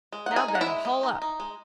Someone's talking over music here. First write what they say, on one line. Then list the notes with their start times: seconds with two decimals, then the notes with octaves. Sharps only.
Now, then, haul up.
0.13 G#3
0.26 D#4 F#5
0.36 G#4 G#5
0.48 D#4
0.55 F#5
0.61 E4 E5
0.67 G#3
0.85 G#3
1.03 D#4
1.22 D#4
1.40 G#3